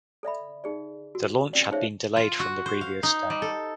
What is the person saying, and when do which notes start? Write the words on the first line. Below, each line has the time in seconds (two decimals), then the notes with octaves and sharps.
The launch had been delayed from the previous day.
0.23 A4 D5 E5 B5
0.64 D#4 G#4 D5
1.15 F#4
1.53 C#4 D5
1.71 D#4 G#4 C5 C#5 E5 F5
2.17 F4
2.40 F#4
2.66 C5
2.81 F5
3.03 D#4
3.30 G3
3.42 A4